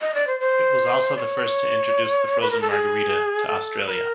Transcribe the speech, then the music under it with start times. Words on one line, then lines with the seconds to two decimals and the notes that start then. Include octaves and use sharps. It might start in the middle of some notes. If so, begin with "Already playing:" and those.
It was also the first to introduce the frozen margarita to Australia.
0.01 D#5
0.15 D5
0.27 C5
0.40 C5
1.17 D5
1.20 C#5
2.41 B4
2.51 A#4
2.61 A4
2.71 G#4
3.47 A4
3.86 B4
3.91 A#4